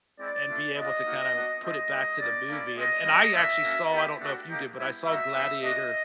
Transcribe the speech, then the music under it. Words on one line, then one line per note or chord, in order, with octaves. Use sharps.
and be able to kinda put it back to the movie and and I actually saw I don't know if you did, but I saw Gladiator
G#3 C4 E4 D5
A3 D4 F4
B3 D4 F4 D#5
A#3 D#4 F#4
B3 D4 F#4
A3 C4 F4 D#5
G3 A#3 D#4
G3 A#3 D4 D5
A#3 C#4 E4
G#3 C4 F4 D#5
G3 A#3 C#4 E4
A#3 D4 F4 E5
A#3 C#4 F#4
B3 E4 G4
A3 D4 F#4
A#3 D#4 G4
G3 B3 E4
G3 A#3 D#4 F#4 E5
B3 D#4 G4
A3 D4 F#4 D#5